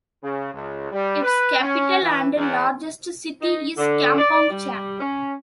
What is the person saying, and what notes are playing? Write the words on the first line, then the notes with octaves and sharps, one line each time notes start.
Its capital and largest city is Kampong Cham.
C#3
C#2
G3
B4
C#4
E3
E2
D#4
D3
D5
G3
C#4